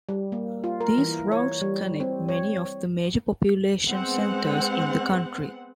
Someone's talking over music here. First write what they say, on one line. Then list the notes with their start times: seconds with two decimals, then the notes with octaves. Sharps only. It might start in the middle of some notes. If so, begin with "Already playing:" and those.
These routes connect many of the major population centres in the country.
0.09 G3
0.32 A#3
0.64 F4
0.81 A#4
0.98 E3
1.32 C#5
1.62 G3
2.00 C4
2.28 C#5
3.89 G#3 B3 C4 F#5